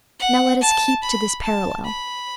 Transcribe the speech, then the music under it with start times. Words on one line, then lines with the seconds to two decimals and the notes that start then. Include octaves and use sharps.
Now let us keep to this parallel.
0.20 F#5
0.61 A5
1.02 B5
1.43 A5
1.85 B5